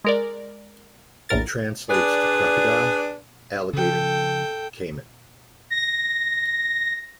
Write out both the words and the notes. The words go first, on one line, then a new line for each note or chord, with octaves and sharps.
Translates to crocodile, alligator, caiman.
G#3 A#4 D5
A#1 E2 A2 A#4 A6
D4 G#4 B4 D5
C#3 F3 A4 G5
A#6